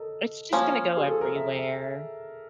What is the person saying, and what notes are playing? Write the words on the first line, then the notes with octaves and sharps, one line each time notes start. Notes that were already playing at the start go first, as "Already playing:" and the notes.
It's just gonna go everywhere.
Already playing: A4 A#4 D#5
F3 A#3 C#4
G#4
A4
A#4
E5